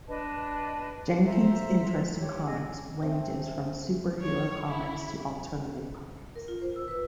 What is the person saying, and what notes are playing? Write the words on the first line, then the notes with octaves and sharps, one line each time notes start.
Jenkins' interest in comics ranges from superhero comics to alternative comics.
D4 B4 D#5 A5
C5 E5 A#5
G4 C#5
D4 G#4 D#5 E6
A3 C4 G#5
C#5
E4
A#4
F4
C5
E6
B4